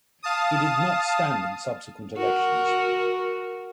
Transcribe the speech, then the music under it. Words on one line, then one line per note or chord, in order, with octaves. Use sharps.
He did not stand in subsequent elections.
F5 A5 D#6
F#4 A#4